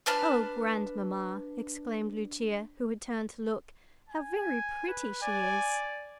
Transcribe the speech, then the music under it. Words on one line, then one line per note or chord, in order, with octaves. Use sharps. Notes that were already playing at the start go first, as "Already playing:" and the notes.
"O grandmamma!" exclaimed Lucia, who had turned to look, "how very pretty she is!"
D4 B4 A5 F6
G#5
B4
D5 G#5